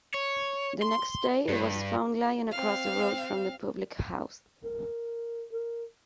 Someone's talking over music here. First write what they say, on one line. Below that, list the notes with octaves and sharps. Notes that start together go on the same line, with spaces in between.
The next day it was found lying across the road from the public house.
C#5
C6
G2
C4 F5
A#4
A#4